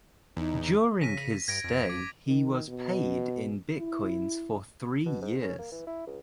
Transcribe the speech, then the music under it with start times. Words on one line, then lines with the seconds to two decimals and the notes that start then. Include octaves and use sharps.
During his stay he was paid in bitcoins for three years.
0.37 E2 D#4
1.01 C#3 A#6 B6 D#7
1.48 G2 G#6 A#6 D7
1.64 F2
1.89 D6 G#6
2.27 D#3
2.68 B2
3.79 E4
5.06 B2
5.22 G#2
5.42 C#4
5.59 A#3
5.71 E3
5.87 E4
6.07 C#2